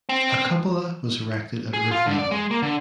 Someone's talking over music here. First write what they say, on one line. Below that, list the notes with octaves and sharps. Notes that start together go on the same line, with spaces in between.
A cupola was erected at roof level.
C4
G#4
F4
D3
D5
G#3
A#3
D3